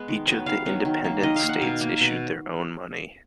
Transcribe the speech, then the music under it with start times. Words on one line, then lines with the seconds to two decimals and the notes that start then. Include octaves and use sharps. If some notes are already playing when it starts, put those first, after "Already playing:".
Each of the independent states issued their own money.
Already playing: G#3 B3
0.08 D#3
0.27 F#3 B3
0.46 D#3 F5
0.65 F#3 B3
0.85 D#3
1.04 A#3
1.23 D#3 D#5
1.36 F5
1.43 A#3
1.49 F#5
1.62 B2 F5
1.81 A#3
2.01 B2